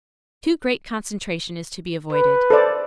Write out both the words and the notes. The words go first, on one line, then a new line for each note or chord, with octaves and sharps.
Too great concentration is to be avoided.
B4
A4 C5 D5